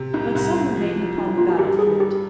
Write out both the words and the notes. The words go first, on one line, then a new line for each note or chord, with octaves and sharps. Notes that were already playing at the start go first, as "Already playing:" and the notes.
But some remained upon the battlefield.
Already playing: C3
C2 D#4
C2 D#4
C2
F3
F3
F3 D#4
E4
A#3 F4
F#4
G2 G4
G3 G#4
G2 G4